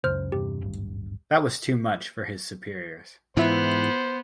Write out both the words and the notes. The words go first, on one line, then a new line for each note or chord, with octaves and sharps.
That was too much for his superiors.
C#2 F#2 C#3 C5 F6
E2 G2 C3 G4
D1 G#1 G2
G#2 E3 B3 E4 F4 C5 E5